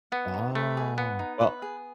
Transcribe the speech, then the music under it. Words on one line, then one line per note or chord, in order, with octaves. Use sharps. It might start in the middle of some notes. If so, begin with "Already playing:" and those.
Oh, well
B3 F#5
D#4
A3 B4
G#4
B3 F#5
D#4
B4
G#4